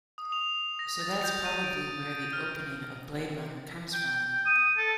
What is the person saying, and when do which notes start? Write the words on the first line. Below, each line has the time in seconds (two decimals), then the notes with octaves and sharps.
So that’s probably where the opening of "Blade Runner" comes from.
0.18 D#6
0.32 F7
0.79 A#6
1.02 A6
1.24 G6
1.45 D#7
1.64 D7
2.33 F6
3.94 G5
4.46 D#6
4.77 A4